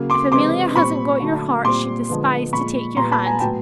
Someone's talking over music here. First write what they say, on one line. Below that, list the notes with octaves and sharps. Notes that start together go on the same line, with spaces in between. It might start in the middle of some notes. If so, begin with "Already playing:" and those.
If Amelia hasn't got your heart, she'd despise to take your hand.
Already playing: C#3 F#3 A#3
C6 D6
C3 E3 G#3 C4 C6 D6
A#2 G3 C4 B5 C#6
D3 F#3 A3
A#2 G3 C4 C6 D6
D3 F3 G#3 B3
A#2 F3 G#3 B5 C#6
A#2 G3 B3 A#5 C6
A5 B5
G#5 A#5
A2 F#3 B3 G5 A5